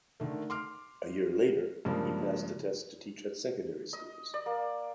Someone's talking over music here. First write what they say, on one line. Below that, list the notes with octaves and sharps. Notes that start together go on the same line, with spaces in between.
A year later he passed the test to teach at secondary schools.
D3 D#3 A3
C6 D6 F6
G2 C#3 F3 G#3 A#3
D#5
D5
A#3